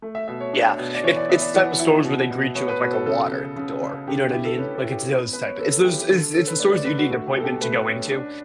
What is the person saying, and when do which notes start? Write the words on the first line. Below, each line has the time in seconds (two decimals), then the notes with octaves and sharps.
Yeah, it's it's the type of stores where they greet you with, like, a water at the door, you know what I mean? Like, it's those type of it's those, it's it's the stores that you need an appointment to go into,
0.02 A3
0.15 E5
0.28 B2 E5
0.40 C#5
0.53 D4
0.78 B2
0.95 D5
1.03 E3 C#5
1.16 D5
1.29 B3 E5
1.42 D5
1.54 E3 F#5
1.79 E4
2.04 B2
2.30 B2
2.55 B3 C#5
2.68 B4
2.80 B2 F#4
2.93 A4
3.06 C#3 A4
3.32 C#3
3.56 C#3
3.82 C#3
4.07 D3 G4
4.20 G4
4.33 E4 G4
4.45 A4
4.57 C#4 B4
4.74 A4
4.83 E4
4.92 G4
5.08 B3
5.33 B3 B4
5.46 C#5
5.59 B3 A4
5.71 A4
5.84 E3 G4
5.97 G4
6.09 D3 A4
6.34 C#4 A4
6.47 B4
6.60 A3 D5
6.73 D5
6.85 D3 B4
6.98 F#4
7.11 A3 F#4
7.27 G4
7.36 B2 A4
7.44 G4
7.61 A3 B4
7.87 C#4
8.12 D4